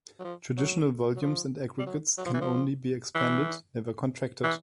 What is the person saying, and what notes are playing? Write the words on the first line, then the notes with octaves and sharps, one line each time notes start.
Traditional volumes and aggregates can only be expanded, never contracted.
F#3
F3
F#3
F#3
F3
G3
F#3
F#3
F3
E3
F3
E3
E3